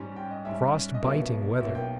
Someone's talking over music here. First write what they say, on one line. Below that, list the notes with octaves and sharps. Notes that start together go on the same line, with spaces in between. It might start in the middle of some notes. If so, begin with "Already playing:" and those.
Frostbiting weather!
Already playing: G#2 G3 C#4
G5
D#5
G#2 G3 C#4 E5
D#5
B1 B2 A#3 E5
B1 B2 A#3 E5
G5